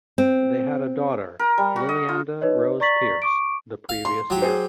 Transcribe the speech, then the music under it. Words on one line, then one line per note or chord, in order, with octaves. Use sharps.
They had had a daughter, Lilianda Rose Pearce, the previous year.
C4
A#4
G3
F#4
D#5
F4
D#4 B4 C#5 D#5
D5 A#5 C#6 A6 B6 F#7
C#6 D6 D7
F5
C6
F#3 G4
G#4 C5